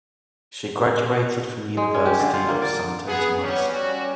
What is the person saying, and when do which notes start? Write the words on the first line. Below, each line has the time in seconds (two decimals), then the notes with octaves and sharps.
She graduated from University of Santo Tomas.
1.77 G#3
1.94 C#4
2.06 G4
2.20 D3
2.34 F4
2.48 A#3
2.62 D5
3.07 B3 G#4
3.41 F#3 G3 B3 C#4
3.71 G3 C#4 F#4